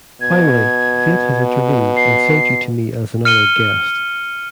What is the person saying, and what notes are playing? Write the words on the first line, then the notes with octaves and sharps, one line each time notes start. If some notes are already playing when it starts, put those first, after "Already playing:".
Finally, fate has intervened and sent you to me as an honoured guest.
B2 G#6
C7
F6 C#7 D#7 G7